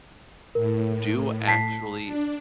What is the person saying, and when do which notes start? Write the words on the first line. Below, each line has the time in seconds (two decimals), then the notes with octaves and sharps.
do actually
0.55 A2 A#4
1.47 A5 B6 C7
2.04 D4